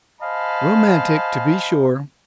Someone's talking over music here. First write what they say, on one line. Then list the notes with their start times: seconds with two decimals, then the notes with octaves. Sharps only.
Romantic, to be sure.
0.22 C5 D#5 F5 G#5 A5 B5